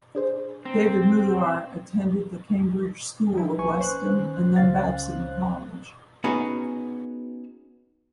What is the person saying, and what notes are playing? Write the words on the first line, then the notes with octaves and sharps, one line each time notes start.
David Mugar attended the Cambridge School of Weston, and then Babson College.
D4 G#4 C5
C4 A#5
F3 G3 D#4 E4
A#1 B4 G#5 C#6
C#4 C5 F#6
D#3
C#2 F5 A6
B3 C#4 D#4 F#4 G#4